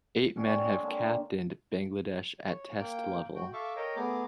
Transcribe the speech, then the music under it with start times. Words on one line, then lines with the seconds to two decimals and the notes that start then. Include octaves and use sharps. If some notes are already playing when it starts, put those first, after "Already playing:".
Eight men have captained Bangladesh at Test level.
0.36 D3 C#4 G4
0.60 G#3 C4 C#4
0.83 D3 A#3 A5
2.45 C#5
2.79 A#3 G5
3.35 F#4 G5
3.53 A4 E5 F5 C#6 D6
3.76 A#4 C#5 D#5 G5
3.96 A3 B3 G#4 A#5 D6